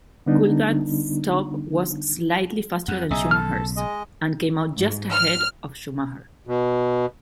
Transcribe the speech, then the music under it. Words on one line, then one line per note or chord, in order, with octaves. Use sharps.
Coulthard's stop was slightly faster that Schumacher's, and came out just ahead of Schumacher.
D3 G3 B3 D4 D#4
F2 F#5
B1 C#3 D#4 G#4 E5
A4 F6
G#3 D#5
G#2
F6
B2